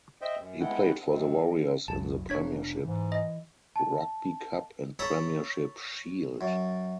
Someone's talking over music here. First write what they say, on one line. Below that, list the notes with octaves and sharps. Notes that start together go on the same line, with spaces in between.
He played for the Warriors in the Premiership Rugby Cup and Premiership Shield.
C5 D#5 E5 G5
F#2
G#3 A3 B3 E4 F#5 G5
F#2 D#3 C4
B1 F2 F#3 A5
F1 D4 C#5 G#6 B6
G#2 E3
D#5
A5
A4 C#5 A#5 B5
F#2